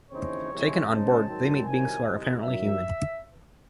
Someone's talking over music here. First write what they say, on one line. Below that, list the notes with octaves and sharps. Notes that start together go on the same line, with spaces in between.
Taken on board, they meet beings who are apparently human.
D#2 C#3 E3 C4 D#4 C#5
C2 C3 E3 G#3 C4
C#2 C#3 G#3 C4 D#4 A5
G#2 D#3 F#3 C4
C2 C3 D#3 F#3 G#5
C2 C3 D#3 G#3
F#2 D#3 F#3 E5